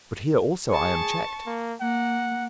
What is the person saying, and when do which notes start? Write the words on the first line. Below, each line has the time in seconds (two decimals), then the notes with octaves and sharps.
But here also I am checked.
0.69 G#4 A5 C#6
1.46 A#3
1.81 A#3 F#5